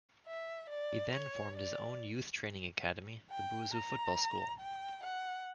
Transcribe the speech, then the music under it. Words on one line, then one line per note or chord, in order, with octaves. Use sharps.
He then formed his own youth training academy, The Buzu football school.
E5
D5
C#5
D5
G5
A#5
G5
F#5